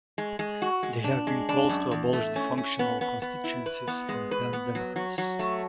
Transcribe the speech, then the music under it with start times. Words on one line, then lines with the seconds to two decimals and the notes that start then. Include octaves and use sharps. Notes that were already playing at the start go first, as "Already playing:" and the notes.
There have been calls to abolish the functional constituencies from pan democrats.
0.18 G#3
0.39 G#3
0.62 F#4
0.83 G#3
1.04 D4
1.27 G#3
1.49 D4
1.69 F#2
1.91 E2
2.13 A3
2.36 C#4
2.58 C#4
2.79 B3
3.01 B3
3.22 B3
3.44 E4
3.66 B4
3.88 B3
4.09 G#3
4.31 B4
4.53 B3
4.75 F#3
4.96 F#3
5.18 F#3
5.39 A3